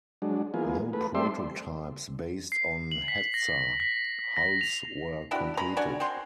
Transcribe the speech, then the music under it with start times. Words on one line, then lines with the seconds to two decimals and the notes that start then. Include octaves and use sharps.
No prototypes based on "Hetzer" hulls were completed.
0.22 F#3 G#3 D4
0.54 E3 A#3 B3 F4 G#4
0.93 A3 B4
1.15 G3 A3 C4 D5 E5 C6
2.52 C7
2.92 F#7
3.08 B6
3.34 A#6
3.80 B6
4.37 A#6
4.61 F7
5.31 D4 E4 F#4 G4
5.57 C#4 A#5 B5
5.77 D4 F#4 D5 G#5
6.00 C4 F#4 C6